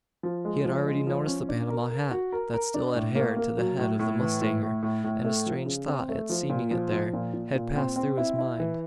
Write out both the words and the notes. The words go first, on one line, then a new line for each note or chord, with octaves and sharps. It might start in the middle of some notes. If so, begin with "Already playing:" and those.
He had already noticed the Panama hat, that still adhered to the head of the mustanger; and a strange thought at seeing it there, had passed through his mind.
F3
G#3
F3
G#3
F3
C#4
D4
A#4
A#4
F#4
A#4
A#4
D4
A2
A#3
A#3
F#3
A2
A2
E3
A2
A2
A2
A2
A3
F3
C#3
C4
A3
F3
A#2
F3
F3
A#2
A#2
A#2
C4
C4
E4
E4
E3